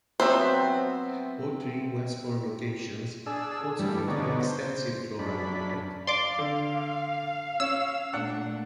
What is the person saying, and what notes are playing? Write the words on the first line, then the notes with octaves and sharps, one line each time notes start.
All three Westborn locations also feature an extensive floral market.
F#3 B3 C4 C5 E5
D4 G#4 E6
G2 E3 G3 A3
D3 B3 D#4 C#5 D5
C5
F#2 D4 B5
D5 F5 C6 D6
D3
C#4 E6
A#2 A3 D4 F#5